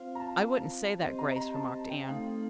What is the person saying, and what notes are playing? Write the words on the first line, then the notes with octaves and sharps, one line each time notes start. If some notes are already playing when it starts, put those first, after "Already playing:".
"I wouldn't say that, Grace," remarked Anne.
Already playing: C4 F4 C5 F5
A#5
A5
C4 G4 C5 D#5
A#5
A#5
A5
G5
A3 C4 D#4 A4 F5